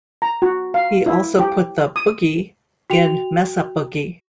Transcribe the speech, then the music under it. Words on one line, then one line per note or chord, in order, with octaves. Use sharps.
He also put the "Boogie" in Mesa Boogie.
A#5
F#4
F5
E4
G4
D#6
F#4 G5 F7